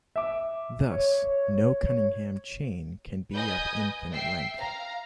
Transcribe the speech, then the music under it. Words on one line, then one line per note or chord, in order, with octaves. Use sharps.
Thus, no Cunningham chain can be of infinite length.
E5 D6
C#5
B4 D#5 G#5 D#6 G6
E5 G5 C7
F5 A#5